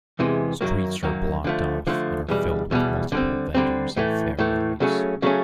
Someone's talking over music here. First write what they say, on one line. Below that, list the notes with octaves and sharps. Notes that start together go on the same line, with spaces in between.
Streets are blocked off and are filled with multiple vendors and fair rides.
E2 C3 E3 G#3
F#2 D#3 F#3 A#3
F#2 D#3 F#3 A#3
D3 F3 A3
D3 F3 A3
E2 B2 G3
E2 B2 G3
D3 G3 C4
D3 G3 C4
A2 E3 A3
A2 E3 A3
C#3 F#3 A3 C#4
C#3 F#3 A3 C#4